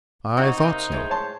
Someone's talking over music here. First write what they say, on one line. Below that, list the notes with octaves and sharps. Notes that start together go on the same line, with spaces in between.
'I thought so.
G3 C4 D#4 F#4 C#5
C3 A#3 C5
A2 G#3
C#5 A5 C6